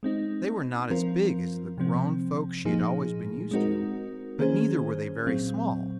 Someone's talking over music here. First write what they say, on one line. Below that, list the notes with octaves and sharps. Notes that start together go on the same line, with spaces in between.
They were not as big as the grown folk she had always been used to; but neither were they very small.
G#3 C4 D#4
F3 C4 F4 A#4
C3 F3 C4
A#2 F3 A#3 D#4 G#4
G#3 C4 D#4 F#4 A#4
D#3 A#3 C#4 G#4 C5
A#2 F#3 C4